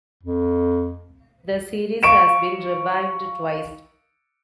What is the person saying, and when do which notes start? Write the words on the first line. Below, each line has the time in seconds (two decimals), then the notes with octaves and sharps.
The series has been revived twice.
0.23 F2
2.03 F5 C#6 D7 E7